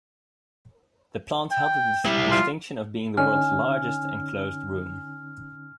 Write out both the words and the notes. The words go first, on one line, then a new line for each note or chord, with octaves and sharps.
The plant held the distinction of being the world's largest enclosed room.
G5
G3 E4
F4
D3 C#4 D#4 G#5 F6